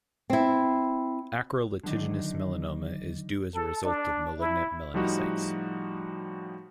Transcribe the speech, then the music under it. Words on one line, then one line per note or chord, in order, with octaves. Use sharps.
Acral lentiginous melanoma is due as a result of malignant melanocytes.
C4 E4
D3 D#3 F#3 D4 D#4
A4
D4
E4
A2 F3 G3 D#4 F#4